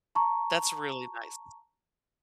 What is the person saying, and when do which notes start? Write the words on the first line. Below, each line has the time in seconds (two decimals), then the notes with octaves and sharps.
That's really nice.
0.15 A5 A#5 C#6